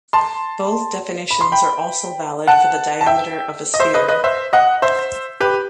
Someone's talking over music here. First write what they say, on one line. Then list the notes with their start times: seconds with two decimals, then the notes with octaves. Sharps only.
Both definitions are also valid for the diameter of a sphere.
0.13 A5 C6
1.31 B5
1.41 C6
1.52 G5 B5
2.47 F#5 A5
3.01 A5
3.06 E5 G5
3.74 D#5
3.80 C5 E5
3.94 B4 D#5
4.08 B4 D#5
4.24 C5 E5
4.53 D#5 F#5
4.82 C5 E5
5.40 G4 B4